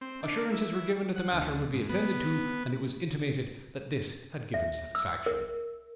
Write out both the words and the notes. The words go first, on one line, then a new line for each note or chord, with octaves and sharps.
Assurances were given that the matter would be attended to and it was intimated that this had given satisfaction.
C4
D4
E4
F#5
D2
G#2
B3
E5
E6
A#4